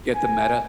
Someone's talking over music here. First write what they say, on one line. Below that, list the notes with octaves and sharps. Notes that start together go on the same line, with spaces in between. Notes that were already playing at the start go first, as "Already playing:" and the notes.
Get the Meta.
G#5